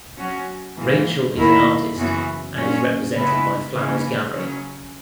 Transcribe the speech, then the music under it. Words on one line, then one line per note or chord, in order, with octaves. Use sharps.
Rachel is an artist and is represented by Flowers Gallery.
F#3 C#4 F#4
G#2 E3 A#3
D#2 D#3 A#3 E4 A#4
F#2 C#3 E3 B3 F#4
A#2 F#3 C#4
C#3 G#3 B3 E4 B4
C#3 E3 A#3 C#4
C#3 F#3 C#4